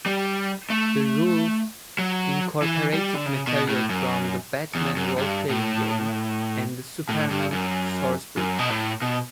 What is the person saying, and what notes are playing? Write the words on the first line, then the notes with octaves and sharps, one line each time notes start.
The rules incorporated material from the "Batman Role-Playing Game" and the "Superman Sourcebook".
G3
A3
F#3
E3
G3
D3
C#3
B2
A2
F#2
E2
F#2
G2
A2
A2
G2
F#2
F#2
B2
A2
B2